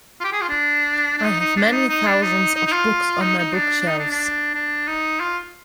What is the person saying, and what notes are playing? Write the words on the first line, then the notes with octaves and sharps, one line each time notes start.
I have many thousands of books on my bookshelves.
F4
G4
G#4
F4
D4
D4
D#4
D#4
D4
D#4
D#4
D4
D#4
D#4
D#4
F4
D#4
D#4
D4
D4
D#4
D4
D4
D4
D#4
F4